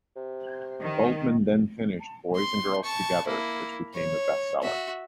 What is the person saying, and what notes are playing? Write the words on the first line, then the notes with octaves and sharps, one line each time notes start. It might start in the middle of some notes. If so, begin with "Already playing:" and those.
Goldman then finished "Boys and Girls Together" which became a best seller.
C3
D#3
C6
A5 C#6
A#3 E4
C#5
F#4 E5